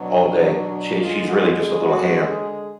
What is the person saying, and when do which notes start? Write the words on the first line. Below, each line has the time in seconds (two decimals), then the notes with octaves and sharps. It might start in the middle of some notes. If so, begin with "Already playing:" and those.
all day, sh she's really just a little ham.
Already playing: B2 F#3 D4
1.00 D3 G#3 F4
1.27 F#4
1.56 G#4
1.85 F#4
2.27 G#4